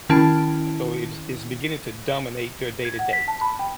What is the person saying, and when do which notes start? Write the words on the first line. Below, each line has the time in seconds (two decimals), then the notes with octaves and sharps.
so it's, it's beginning to dominate their day to day.
0.10 D#3 C#4 E4 A5 D7
2.85 G#6
2.99 F#5
3.13 B6
3.28 A5
3.41 B5
3.59 G5